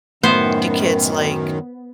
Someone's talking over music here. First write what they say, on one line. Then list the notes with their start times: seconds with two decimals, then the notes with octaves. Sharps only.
do kids, like,
0.23 F#2 A2 D#3 B3 C5